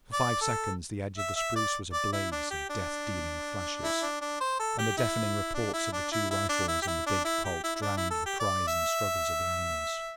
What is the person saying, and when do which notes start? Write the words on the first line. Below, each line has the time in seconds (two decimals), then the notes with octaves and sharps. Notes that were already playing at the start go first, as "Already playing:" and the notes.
For five seconds the edge of the spruce was a blaze of death-dealing flashes, and the deafening reports of the two rifles and the big Colt drowned the cries and struggles of the animals.
0.13 D5
0.41 A4
1.18 E5
1.36 E5
1.56 D5
1.93 D5
2.13 E4
2.32 D4
2.51 G4
2.70 D4
3.84 E4
4.03 D4
4.21 D4
4.41 C5
4.59 A4
4.79 G4
4.98 E4
5.54 D4
5.73 E4
5.93 D4
6.12 E4
6.31 E4
6.49 D4
6.68 E4
6.82 G4
6.87 E4
7.07 D4
7.25 E4
7.44 G4
7.64 E4
7.76 E4
7.82 D4
7.97 E4
8.11 A4
8.26 G4
8.40 D5
8.68 E5